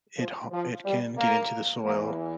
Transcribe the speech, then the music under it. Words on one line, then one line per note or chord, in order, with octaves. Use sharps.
it ha it can get into the soil,
F3
F3
G3
A#3
E2 E3 A#3